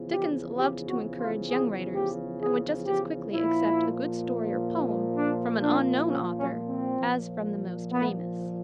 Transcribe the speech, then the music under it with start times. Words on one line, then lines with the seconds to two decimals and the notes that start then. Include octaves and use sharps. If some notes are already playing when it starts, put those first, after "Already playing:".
Dickens loved to encourage young writers, and would just as quickly accept a good story or poem from an unknown author as from the most famous.
Already playing: E2 C#3 F3
0.11 G4
0.57 G4
0.88 F#4
1.18 F4
1.49 G#4
1.95 G4
2.41 G#4
2.86 G4
3.32 A#2 F3 E4
5.16 D4
5.62 D4
6.08 C#4
6.38 C#4
6.69 C4
7.00 A#2 F3
7.91 B3